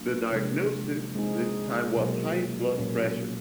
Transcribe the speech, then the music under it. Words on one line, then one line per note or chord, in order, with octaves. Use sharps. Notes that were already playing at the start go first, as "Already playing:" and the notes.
The diagnosis this time was high blood pressure.
Already playing: F#3 A#3 D4
C3 F3 G#3 B3 D4
G#3 C4 D#4 G#4
B2 F#3 A#3
A#2 F#3 A#3 C#4